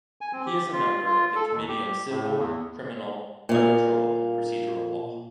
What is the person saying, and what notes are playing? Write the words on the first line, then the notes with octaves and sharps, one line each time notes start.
He is a member of the Committee on Civil, Criminal, Arbitral and Procedural Law.
G#5
C4
G4
F4
F4
A4
D#2
G4
A2
E2
A#2 F5